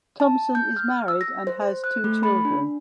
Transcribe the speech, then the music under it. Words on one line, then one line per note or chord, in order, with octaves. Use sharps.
Thompson is married and has two children.
A5
G6
F6
E6
A#6
C5
C5
F#6
A3
B5
D4